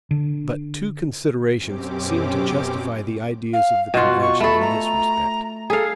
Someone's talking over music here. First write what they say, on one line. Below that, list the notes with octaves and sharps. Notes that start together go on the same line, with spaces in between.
But two considerations seem to justify the ideas of the convention in this respect.
D3
F#2 B2 C4 C#4 G4 D6
F5
B2 F4 F#4
C#6
A3 A4 B5
A#5
G#4 A4 F5